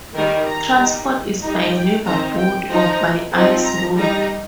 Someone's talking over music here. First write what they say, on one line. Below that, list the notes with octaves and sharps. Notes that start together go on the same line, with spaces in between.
Transport is by river boat or by ice road.
D#3 G3 D#4 A#4
A#5
G3 D#4
G3 D#4 A#5
G5
D#3 C4 D#4 A#5
G5
F3 D#4 A#5
F3 C4 D#4
A#5
G3 D#4 A#5